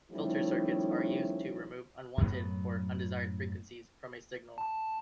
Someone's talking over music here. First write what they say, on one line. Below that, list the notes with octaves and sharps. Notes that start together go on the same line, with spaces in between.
Filter circuits are used to remove unwanted or undesired frequencies from a signal.
D#3 F3 G3 A3 C#4 E4
F#2 A2 F#3 B3
A5